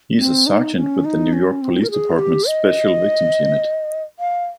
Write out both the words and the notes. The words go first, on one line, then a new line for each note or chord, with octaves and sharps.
He is a sergeant with the New York Police Department's Special Victims Unit.
C4
D#4
C#4
D#4
C#4
C4
A#4
G#4
G4
D#5
F5